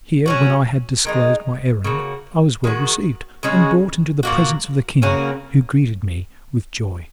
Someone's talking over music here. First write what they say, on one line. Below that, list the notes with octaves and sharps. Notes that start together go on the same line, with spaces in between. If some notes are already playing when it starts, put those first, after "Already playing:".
Here, when I had disclosed my errand, I was well received, and brought into the presence of the king, who greeted me with joy.
F#3 C#4 F#4
D#3 G#3 D#4
C#3 A#3 F#4
D#3 G#3 F#4
C#3 G#3 C#4 F#4
A#2 A#3 F#4
C#3 A#3 C#4 F#4